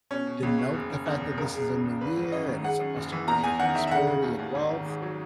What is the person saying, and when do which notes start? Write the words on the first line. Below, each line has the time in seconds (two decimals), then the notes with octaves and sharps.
denote the fact that this is a new year and it's supposed to bring prosperity and wealth."
0.11 B2 C#4
0.27 B2
0.43 C#2
0.58 B2
0.74 F#1
0.90 F#1
1.06 E2
1.21 F#1
1.38 C#2 A#4
1.54 G#3
1.70 C#3
1.85 C#2
2.01 G#1 B4
2.17 G#1
2.32 F#2 D#5
2.48 D#3
2.64 G#3 F#5
2.80 F#2
2.96 F#1
3.12 E3
3.27 E2 A#5
3.43 E2 G#5
3.59 D#3 F#5
3.75 D#3 E5
3.87 E5
3.91 C#3 F#5
4.07 C#3
4.23 D#2
4.39 D#2
4.55 G#1
4.71 D#3
4.86 G#2
5.02 F#3